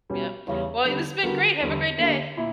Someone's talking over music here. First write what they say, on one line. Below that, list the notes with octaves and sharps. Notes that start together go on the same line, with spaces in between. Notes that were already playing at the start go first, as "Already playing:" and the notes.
Yep. Well, it this been great, have a great day.
B2 G3 C#4
E2 C#3 G3 C#4
D3 G3 B3 D4
D3 G3 B3 F#4 A#4
E2 D3 G3
D3 A#3 D4 G4
A#2 A#3 E4